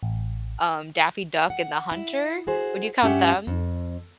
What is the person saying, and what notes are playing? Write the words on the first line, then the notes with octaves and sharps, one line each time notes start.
um, Daffy Duck and The Hunter, would you count them?
A1
F#5
E4
F#4 G#4 C5
G2 C#4 G4 E5 F#5
F2